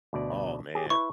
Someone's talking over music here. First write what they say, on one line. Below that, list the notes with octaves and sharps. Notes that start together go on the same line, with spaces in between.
Oh, man.
D2 B2 D5
G4 G#4
E4 B4 C#6